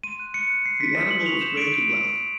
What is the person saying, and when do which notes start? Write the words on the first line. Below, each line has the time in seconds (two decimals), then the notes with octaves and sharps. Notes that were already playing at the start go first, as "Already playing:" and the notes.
The animal is grey to black.
0.04 C6 D#7
0.20 F#6
0.34 F#6 C#7
0.50 F#6
0.66 F#6 C7
0.80 C6 B6
0.96 D#6 C#7
1.11 C6 F#7
1.26 C#6 F7
1.41 G6 E7
1.57 C#6 D7
1.72 G6